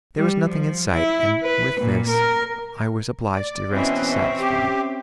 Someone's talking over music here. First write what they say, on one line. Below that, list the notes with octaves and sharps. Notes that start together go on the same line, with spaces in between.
There was nothing in sight, and with this I was obliged to rest satisfied.
G3
F3
E4
B4
A#2
A#4
D5
B2 E3 C4 C#4 E5
G4